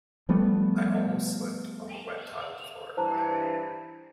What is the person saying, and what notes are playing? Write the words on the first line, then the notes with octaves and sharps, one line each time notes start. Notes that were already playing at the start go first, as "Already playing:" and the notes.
I almost slipped on the wet tiled floor.
F3 G3 A3 B3
G2 E3 C5 A5 A#5